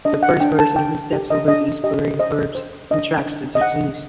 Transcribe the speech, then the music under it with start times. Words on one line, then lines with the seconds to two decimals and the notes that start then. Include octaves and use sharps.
The first person who steps over these buried herbs contracts the disease.
0.05 D4 D#5
0.23 F#5
0.40 D4 G5
0.59 A5
0.76 D4 G5
1.12 G4
1.30 D#5
1.48 D4 D#5
1.84 G4 D#5
2.19 C5 D#5
2.55 C5
2.91 D4 D#5
3.26 D4
3.55 D#5
3.61 C5 F#5